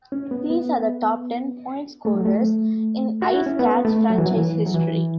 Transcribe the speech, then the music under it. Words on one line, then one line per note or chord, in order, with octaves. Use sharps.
These are the top ten point-scorers in IceCat's franchise history.
C#4
B3
B3
A3
F#3
A3
F#4
E4
C#4
B3
A3
F#3
E3
F#3
E3
F#3
E3